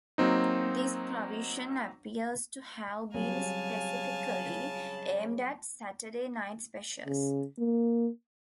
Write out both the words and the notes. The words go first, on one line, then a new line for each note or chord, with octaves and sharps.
This provision appears to have been specifically aimed at "Saturday night specials".
F#3 A#3 C4 D#4
C#3 F#3 G3 C4 F5 G#5 A5
C#3
A#3